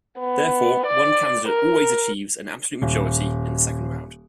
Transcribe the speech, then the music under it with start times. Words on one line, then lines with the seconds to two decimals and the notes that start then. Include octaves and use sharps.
Therefore, one candidate always achieves an absolute majority in the second round.
0.20 B3
0.86 D5
1.48 A#4
2.82 D#1